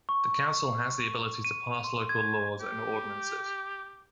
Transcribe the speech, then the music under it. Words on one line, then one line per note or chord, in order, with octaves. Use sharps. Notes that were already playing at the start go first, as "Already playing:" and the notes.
The Council has the ability to pass local laws and ordinances.
C#6
D#7
C6
G#6
G4